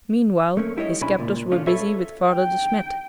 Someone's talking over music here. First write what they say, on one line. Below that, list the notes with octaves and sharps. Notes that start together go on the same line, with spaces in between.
Meanwhile his captors were busy with Father De Smet.
A3 A#3 C#4
G3 E4 F#4 C#5 D#5
B1 C#4 D4 E4 G#5 B5
C#2 A#2
A3 C#4 D4 F4
A4 B4 C#5 E5
G5